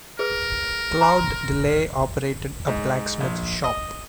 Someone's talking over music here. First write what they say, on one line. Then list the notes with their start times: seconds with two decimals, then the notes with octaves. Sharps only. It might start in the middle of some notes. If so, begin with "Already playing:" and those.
Claude Delaye operated a blacksmith shop.
0.19 G#4 A#4 B4
1.01 A#5 C6
2.68 G#2
3.20 A#1
3.64 D#5